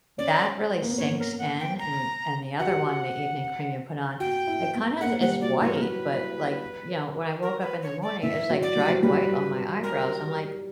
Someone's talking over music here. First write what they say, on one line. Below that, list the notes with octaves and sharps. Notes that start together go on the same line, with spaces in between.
that really sinks in and and the other one, the evening cream you put on, it kind of is bright but like, you know, when I woke up in the morning it was like dried white on my eyebrows. I'm like,
C#4 D5
A#3
B3
C#4 C#5
A#4
F#5
G5
A#5
F#4 F#5
G4
F#4
F#4 G5
E4
B3
A#3 F#5
G3 F#5
F#3 D5
E3 C#5
A#4
F#3 B4
A#4
B4
C#5
D5
E3 E5
F#3
D5
G3
F#3
G3 B4
A#4